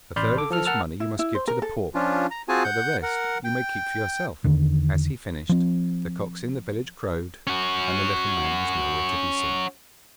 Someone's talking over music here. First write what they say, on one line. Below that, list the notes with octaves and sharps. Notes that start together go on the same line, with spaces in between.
A third of this money you must give to the poor, but the rest you may keep for yourself.' As he finished, the cocks in the village crowed, and the little man was nowhere to be seen.
A1 D5 B5 C6 F6 G6
A4 D6
F3 A4 F6
A#4 F#5 A5 E6 F6
E4
E4
C5
A#4
A4
F3 C#4 D4 F4
A#5
C4 F4 F#4 G#4 G#5 A5
F#5 G6
A#4 F#5
G5
E2 D3 D#3
F3 C4
C#4 F#4